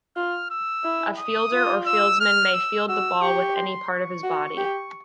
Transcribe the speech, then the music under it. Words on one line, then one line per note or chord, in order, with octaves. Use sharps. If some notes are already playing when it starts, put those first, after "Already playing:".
A "fielder" or "fieldsman" may field the ball with any part of his body.
F4 F6
E6
E4
D#6
F4
E6
F6
E6
F#4 E6
G4 C#6
C6
C#6
F#4
G4